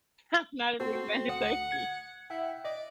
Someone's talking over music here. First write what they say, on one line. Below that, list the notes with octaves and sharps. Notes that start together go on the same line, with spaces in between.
I'm not a big fan of turkey.
C4 F#4 A4 C5
D2 F#5 D#6 C#7
G#6 C#7
E4 E5 F#5 G5
D5 D#5